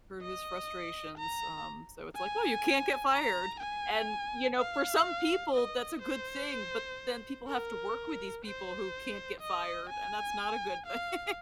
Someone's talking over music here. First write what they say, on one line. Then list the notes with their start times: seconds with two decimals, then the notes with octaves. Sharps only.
heard of his frustrations. Um, so it's like, "Oh, you can't get fired." And, you know, for some people, that's a good thing, but then people have to work with these people who can't get fired, and that's not a good thing.
0.22 D#5
1.19 A#5
2.16 G#5
3.13 A#5
3.60 G#5
4.58 F5
5.54 D#5
6.03 C5
7.48 A#4
8.45 C5
9.41 D#5
9.90 G#5
10.87 F5